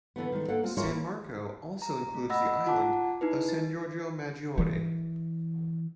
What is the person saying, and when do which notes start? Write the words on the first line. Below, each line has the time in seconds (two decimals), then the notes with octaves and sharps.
San Marco also includes the island of San Giorgio Maggiore.
0.16 D3 E3 A3 B3
0.32 D#3 G#3 A3
0.48 A#3 D4 A4 F#5
0.63 G#3 C4 F4
0.77 F4 G#4 A#4 C5 C#5 E5
0.89 A#3 E4
1.82 A#5
2.15 A3
2.30 D#5 F#5 B5 E6 A#6
2.67 F4 F#5 A5 A#5 D6
3.21 D#4 E4 B4
3.49 A6
4.58 E3